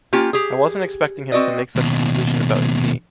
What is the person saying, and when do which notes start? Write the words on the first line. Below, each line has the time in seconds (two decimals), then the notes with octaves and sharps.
I wasn't expecting him to make such a decision about his knee.
0.13 A#3 C#4 F4 G4
0.33 G4 G#4
1.32 C4 F#4 B4 D5 D#5
1.76 D#2 B2